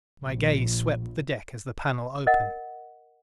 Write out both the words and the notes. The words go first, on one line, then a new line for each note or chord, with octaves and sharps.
My gaze swept the deck as the panel opened.
A#1
A#4 D#5 F#5